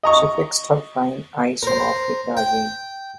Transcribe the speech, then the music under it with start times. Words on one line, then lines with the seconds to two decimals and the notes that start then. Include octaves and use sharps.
She fixed her fine eyes on Africa again.
0.03 D#5 A#5 C#6
1.63 A#4 C5
2.37 G5